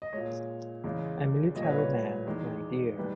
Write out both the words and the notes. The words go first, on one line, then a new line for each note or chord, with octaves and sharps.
A military man, my dear.
D#5
A#2 G#3 C#5
E2 C#3 G#3
A#2 G3 D#5
C#5
B4
C#5
E2 D#3 G#3
D#3 G3 B4